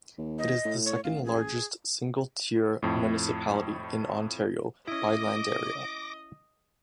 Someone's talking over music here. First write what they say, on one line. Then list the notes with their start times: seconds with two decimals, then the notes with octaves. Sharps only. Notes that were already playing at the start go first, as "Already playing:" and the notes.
It is the second largest single-tier municipality in Ontario by land area.
0.18 D#2
0.39 D#5
0.66 A2
0.86 C#5
1.04 A1 F5
1.25 G#4
2.82 F2 A2
4.88 C#4 E4 D#5 D6 A#6